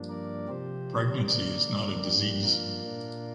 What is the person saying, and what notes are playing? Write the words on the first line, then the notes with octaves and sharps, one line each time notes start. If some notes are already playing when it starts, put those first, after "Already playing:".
Pregnancy is not a disease.
Already playing: G2 F3 A#3 D4
A#4 D5
C3 F3 C4 G4 C5
D3 A#3 D4 A#4 D5
G2 F3 A#3 D4 G4
F4 A#4
A#2 A#3 D4